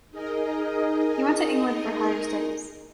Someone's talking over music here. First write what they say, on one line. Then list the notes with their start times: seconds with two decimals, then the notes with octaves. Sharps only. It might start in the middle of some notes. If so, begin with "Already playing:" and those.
He went to England for higher studies.
0.10 D#4 G#4 A#4 D#5